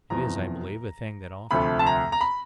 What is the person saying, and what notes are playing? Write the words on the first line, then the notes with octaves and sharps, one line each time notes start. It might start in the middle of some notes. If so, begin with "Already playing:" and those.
It is, I believe, a thing that often happens.
E2 C3 F3 A#5
D2 C3 F3 A3 B5
A5
A#5
A#5
B5